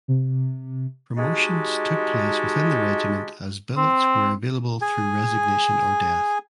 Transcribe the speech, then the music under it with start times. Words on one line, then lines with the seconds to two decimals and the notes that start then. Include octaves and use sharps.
Promotions took place within the regiment as billets were available through resignation or death.
0.08 C3
1.17 G#3 D#4 F#4 G4 A5
3.77 C4
4.81 G#4 G#5